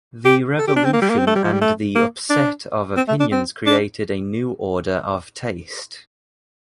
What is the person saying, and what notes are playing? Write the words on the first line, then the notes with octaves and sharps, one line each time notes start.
The revolution and the upset of opinions created a new order of taste.
G4
A4
G4
D4
C4
A#3
G3
A#3
C4
A3
G3
F3
G3
A3
A#3
D4
C4
A3
D4
C4
D4